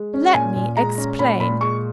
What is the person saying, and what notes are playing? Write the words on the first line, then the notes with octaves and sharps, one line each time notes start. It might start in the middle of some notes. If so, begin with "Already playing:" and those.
Let me explain.
Already playing: G#3
C#4
A#2 G#5
A#2
G#3 A#5
C#4
A#2 B5
A#2 B5
G#3 C#6